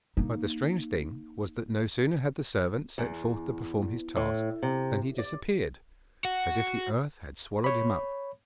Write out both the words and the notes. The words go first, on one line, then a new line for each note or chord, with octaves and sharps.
But the strange thing was that no sooner had the servant set forth to perform his task than he disappeared, as if the earth had swallowed him up.
A#3 D#4
E2
A2
C3
D5
F#4
C#5 B5